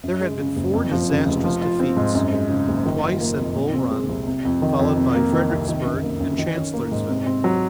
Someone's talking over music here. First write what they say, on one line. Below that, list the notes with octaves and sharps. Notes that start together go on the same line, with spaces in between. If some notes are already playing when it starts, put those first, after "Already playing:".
There had been four disastrous defeats--twice at Bull Run, followed by Fredericksburg and Chancellorsville.
F#2
G#3
C#3
F#1
F2
F3
C#3
F1
F3
F4
C4
G#2
F#2
G#3
C#3
F#1
D#3
F4
A#3
F2
A#2
C4
G#3
C2
C3
F2
D#3
F2
C3
A#3
D#3
C2
D#3
F#2
A#3
F#2
D#3
C#4
A#3
G#2
C3
C4
F#3